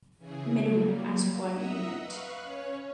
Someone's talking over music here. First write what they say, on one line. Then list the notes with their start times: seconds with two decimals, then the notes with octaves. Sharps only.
Meru as one unit.
0.18 C#3 E3 G#4
0.60 F#3 G3 A#3
1.50 D#5 E5 F#5 A#5 D#6 E6
2.02 B4 F5 C#6 F#6
2.42 C#4 C#5